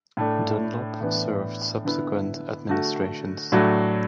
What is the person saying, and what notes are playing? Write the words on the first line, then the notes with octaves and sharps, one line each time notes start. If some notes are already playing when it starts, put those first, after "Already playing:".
Dunlop served subsequent administrations.
A2 A3 D4
A2 E3 B3 D4
D3 B3 E4
D3 A3 F#4
A2 F#3 A3 D4 F#4